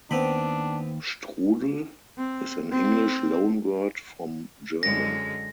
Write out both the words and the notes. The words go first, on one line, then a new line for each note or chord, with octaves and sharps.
Strudel is an English loanword from German.
D#2 B3 C4 D4 B5
C4
C4
F#2 D3 G#3 A#6